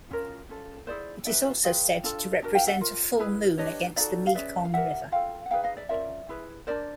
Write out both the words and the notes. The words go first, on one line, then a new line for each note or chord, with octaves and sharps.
It is also said to represent a full moon against the Mekong River.
C#4 F4 A#4
C#4 F4 A4
E4 G#4 B4 C5 D5
D#4 G4 B4 D5 E5
F4 G#4 B4 F5 G5
D4 F4 A4
D4 F#4 A#4
F5 G5
E5 F#5
F4 A#4
E4 G#4 B4
D4 G4 B4 C#5 D#5
D#4 F#4 A4 D5 E5
F5
C#4 F4 G#4 B4 D5 E5
F5
E4 G4 A#4 E5 F#5
F4 A4 F5 G5
F#5
D#4 G#4 B4 F5 G5
D#5 F5
D5 E5
C#4 F4 A#4 D5 E5
E4 G#4 B4
D4 G4 A#4 C5 D5